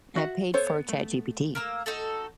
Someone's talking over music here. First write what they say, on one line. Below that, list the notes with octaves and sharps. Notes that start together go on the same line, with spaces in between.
I paid for ChatGPT
F#4 E5 F#5
B3 A4 C5 C#5
A3
A#3 A#5 E6
D#4 F#4 A4